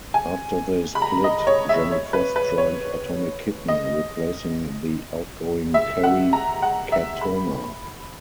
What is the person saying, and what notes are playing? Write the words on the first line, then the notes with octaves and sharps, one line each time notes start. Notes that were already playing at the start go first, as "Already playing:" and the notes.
After they split, Jenny Frost joined Atomic Kitten, replacing the outgoing Kerry Katona.
G#5
B5
A#5
D#5
C#5
E5
C#5
B4
B4
C#5
D#5
E5
F#5
A#5
F#5
E5
B5